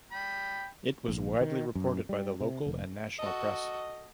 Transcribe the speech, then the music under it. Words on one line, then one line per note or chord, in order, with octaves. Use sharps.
It was widely reported by the local and national press.
G5 B5
A#1
D#3
F#2
G3
C3
F1
F#4 A4 D#5